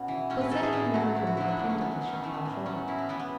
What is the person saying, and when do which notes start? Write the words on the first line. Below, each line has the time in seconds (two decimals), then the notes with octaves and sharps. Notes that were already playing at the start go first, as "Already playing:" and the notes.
Cosette had never been more tender with Jean Valjean.
Already playing: B2 B3 C#4
0.08 E3
0.30 A2 C#4
0.41 B4
0.51 E3 A4
0.63 G#4
0.73 A2 E4
0.94 F#3 F#4
1.15 E2 E4
1.27 F#4
1.37 D3 F#3 E4
1.48 D4
1.59 A2 B3
1.69 C#4
1.81 F#3 B3
1.91 B3
2.01 F#2
2.13 C#4
2.23 E3 A3
2.34 B3
2.45 A2
2.66 F#3 C#4
2.88 F#2 E4
2.98 B3
3.09 E3 B3
3.19 B3